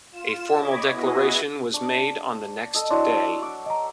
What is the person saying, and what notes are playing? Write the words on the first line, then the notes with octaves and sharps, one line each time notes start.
A formal declaration was made on the next day.
F4 E7
C#5 D#5 B5 D6 G#6
B3 E4 F#4 G#4 D#5
D4 C#6
A4 D#5
F#3 D4 E4 D5 C6
C#6 D6
D#5 A#5